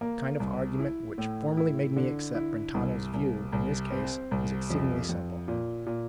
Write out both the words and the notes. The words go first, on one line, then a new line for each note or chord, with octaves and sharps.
The kind of argument which formerly made me accept Brentano's view in this case was exceedingly simple.
A#3
C2
E4
A2
E4
D3
E4
C2
C2
C2
C4
C2
F2
F2
A#2
A#2